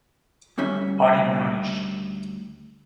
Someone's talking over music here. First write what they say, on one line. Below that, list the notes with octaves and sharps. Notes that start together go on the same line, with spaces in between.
Body brownish.
D2 G3 C#4 E5